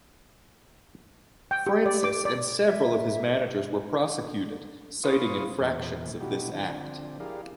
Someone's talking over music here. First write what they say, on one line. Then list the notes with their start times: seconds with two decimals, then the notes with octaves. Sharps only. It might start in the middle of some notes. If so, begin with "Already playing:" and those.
Francis and several of his managers were prosecuted, citing infractions of this act.
1.51 G5
1.67 G4
1.86 D5
2.04 D6
2.25 D5
2.62 E5
5.04 E4 B4 F5 C6 C#6 D#6
5.60 E2 A#2
6.20 B2 G3 D#4 E4 F#4 G4
6.52 D3 F3 C4 D4
7.20 E4 G4 G#4 A#4 D5 F5